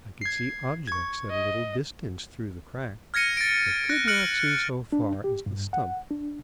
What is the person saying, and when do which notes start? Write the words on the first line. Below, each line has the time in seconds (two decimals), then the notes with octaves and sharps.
I could see objects at a little distance through the crack, but could not see so far as the stump.
0.21 G#6 C7
0.87 C#6 G#6
1.31 D#5
3.14 F6 G#6 A#6 C#7 D#7
3.37 A6 D7
3.89 F#6 A#6
4.07 F6 F#6 C#7 D7 F#7
4.92 D4
5.24 G4
5.46 G2
5.73 F#5
6.11 D4